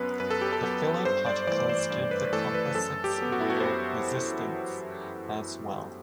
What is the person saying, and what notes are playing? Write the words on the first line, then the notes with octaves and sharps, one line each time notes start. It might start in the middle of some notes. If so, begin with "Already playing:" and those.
The filler particles give the composites wear resistance as well.
Already playing: F#2 F#3 B3 B4
F#2 B4
A4
G4
A4
F#3 B3
G2 C5
D5
E3 A3 D5
C5
G2
B4
E3 A3 A4
B4
F#2 A4
G4
F#3 B3
F#4
E4
F#4
F#2 C5